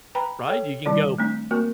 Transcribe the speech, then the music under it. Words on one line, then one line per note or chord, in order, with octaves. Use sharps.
Right? You can go
B4 G5 A#5 B5
A4 C#5 G5
D#3 G3 E4 D5
A3 C4 D4
A#3 C4 F#4 A#4